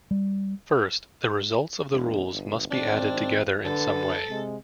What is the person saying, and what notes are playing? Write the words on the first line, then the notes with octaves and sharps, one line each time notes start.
First, the results of the rules must be added together in some way.
G3
E1
G1
G#1 C4 D4
D3 A4 B4
C3 G#3